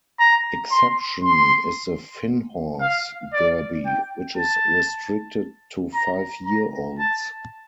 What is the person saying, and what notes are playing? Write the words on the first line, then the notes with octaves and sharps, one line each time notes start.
Exception is the Finnhorse Derby, which is restricted to five-year-olds.
A#5
C6
C6
F5
D5
G5
A5
A#5
A#5
A5